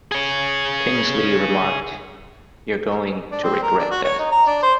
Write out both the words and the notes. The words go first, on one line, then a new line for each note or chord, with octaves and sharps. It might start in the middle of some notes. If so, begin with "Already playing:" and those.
Tinsley remarked, You're going to regret that.
G#4 C#5
D4
C4
A#4
D4
F#4
C#5
D#4
A#5
D4
C5